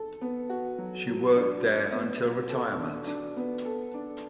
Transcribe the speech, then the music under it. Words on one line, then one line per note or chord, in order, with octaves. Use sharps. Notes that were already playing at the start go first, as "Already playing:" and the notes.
She worked there until retirement.
Already playing: A4
B3
F#4
F#3
F#3
D4
D4
B3
B2
A4
D4
D4
B3
A4
D4